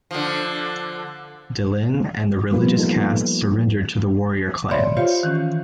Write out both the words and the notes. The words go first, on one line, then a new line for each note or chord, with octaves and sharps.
Delenn and the religious caste surrendered to the warrior clans.
D3 F3
F3 G3 A#3 B3 F4 B4
B3 D#4 A4
C#5 D5 E5 B5 C6
F4 G4 C5 C#5 F5
D#3 E3 C#4